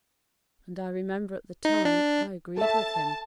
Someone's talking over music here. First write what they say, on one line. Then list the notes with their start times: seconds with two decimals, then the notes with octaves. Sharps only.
And I remember at the time I agreed with him.'
1.65 D#4
1.85 D4
2.58 A4 E5 A5